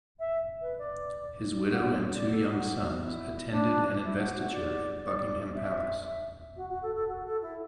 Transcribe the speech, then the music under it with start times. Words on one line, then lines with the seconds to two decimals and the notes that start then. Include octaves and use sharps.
His widow and two young sons attended an investiture at Buckingham Palace.
0.19 E5
0.61 B4
0.78 D5
1.72 F#5
2.14 D5
2.31 A4
2.48 F#4
3.00 E4
3.51 D4
4.02 E4
4.18 F#4
4.35 F#4
4.52 D5
5.04 D5
5.55 E5
6.05 E5
6.56 F#4
6.69 F#4
6.82 A4
6.95 A4
7.08 F#4
7.25 A4
7.42 E4